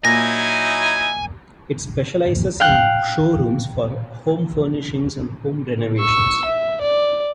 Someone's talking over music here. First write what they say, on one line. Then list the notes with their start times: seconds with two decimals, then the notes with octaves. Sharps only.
It specialises in showrooms for home furnishings and home renovations.
0.05 A#2 F#3 D#4 E4 G#5 A#6
2.60 F5 G5 F#6
6.00 C#6 E6
6.45 E5
6.82 D5